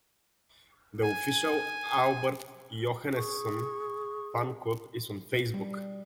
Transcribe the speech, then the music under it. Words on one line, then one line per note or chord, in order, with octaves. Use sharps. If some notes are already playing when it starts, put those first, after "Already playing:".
The official Albert Johanneson Fan Club is on Facebook.
G#5
G#4 C#6
G3